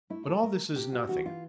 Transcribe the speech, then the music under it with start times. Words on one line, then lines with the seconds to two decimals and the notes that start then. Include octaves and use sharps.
But all this is nothing.
0.10 A3 E4
0.27 A4
0.43 A3 A#4
0.76 C3 G4
0.93 F#4
1.09 E3 F#4
1.26 F4